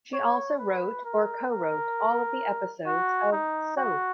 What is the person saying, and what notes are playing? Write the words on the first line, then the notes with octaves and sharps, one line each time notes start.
She also wrote or co-wrote all of the episodes of "Soap".
C#5
B4
A#4
A#4
F#4
D#4
F#4